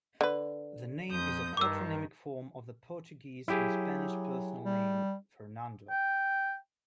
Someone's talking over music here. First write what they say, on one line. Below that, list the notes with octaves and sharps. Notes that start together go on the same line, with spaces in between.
The name is a patronymic form of the Portuguese and Spanish personal name "Fernando".
D3 B4
F2 D#6 G6
G2 D#3 D6 E6
F#3 E4 G4 G#4
G3
G5